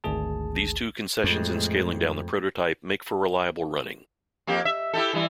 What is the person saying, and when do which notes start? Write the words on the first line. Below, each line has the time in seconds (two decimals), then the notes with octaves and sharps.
These two concessions in scaling down the prototype make for reliable running.
0.04 G#1 D2 G#4 A5
1.24 F2 A2 G#3
4.47 F2 A#3 G4
4.65 E5
4.93 E4 G4 A4
5.13 E3 G3 E4